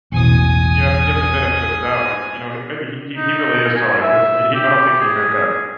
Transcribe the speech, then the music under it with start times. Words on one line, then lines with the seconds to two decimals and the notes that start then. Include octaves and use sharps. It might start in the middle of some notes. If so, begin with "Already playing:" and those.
you have to give him the benefit of the doubt, like, you know, he maybe he he really is sorry, 'cause he he I don't think he meant that.
0.12 A1 E2 B2 G#5 D#6
3.17 D#4
3.76 G#5
4.02 E5
4.54 G4
5.00 G#4